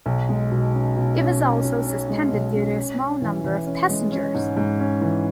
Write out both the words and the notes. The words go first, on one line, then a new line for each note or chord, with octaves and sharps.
It was also suspended due to a small number of passengers.
B1
G#3
B2
C#4
B2
C#4
C#4
B2
C#4
G#3
B1
C#4
C#4
C#4
E3
E3
C#4
G#3
C#4
G#2
G#2
C#4
E3